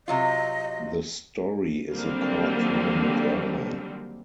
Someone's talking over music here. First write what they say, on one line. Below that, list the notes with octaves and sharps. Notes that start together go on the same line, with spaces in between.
The story is a courtroom drama.
C3 F#3 F4 D#5
D3 D#3 F#3 G3 A#3 C4